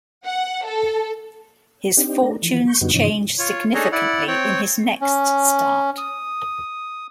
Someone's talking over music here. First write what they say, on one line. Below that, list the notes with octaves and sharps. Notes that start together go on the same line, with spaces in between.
His fortunes changed significantly in his next start.
F#5
A4
C4 D4 D#4 G4
A3 D4 A#4
E3 F3
C#6 G6
F#2 D3 G3 B3 D#4 F#4
G2 C3 E3 F3 C#4 D#4
F4 C#5
D4 D#4 G#4 A4 C#5 D#5
E4 D5 F#5
C4 C#5 G5
C#4
D#6